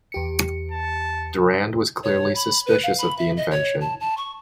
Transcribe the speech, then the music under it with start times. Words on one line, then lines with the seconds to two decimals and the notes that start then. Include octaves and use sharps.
Durand was clearly suspicious of the invention.
0.12 E2 G4 C#7
0.72 A5
2.04 C#5
2.35 B5
2.66 B4
2.83 F5
2.98 B5
3.18 E5
3.37 D#5
3.51 C#5
3.81 A5
4.00 A5
4.17 C#6